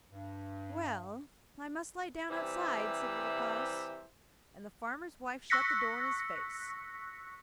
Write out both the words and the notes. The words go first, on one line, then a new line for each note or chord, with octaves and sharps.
'Well, I must lie down outside,' said Little Klaus; and the farmer's wife shut the door in his face.
G2
C3 E3 G3 C5 E5
C#6 E6 F#6 A#6 B6 C#7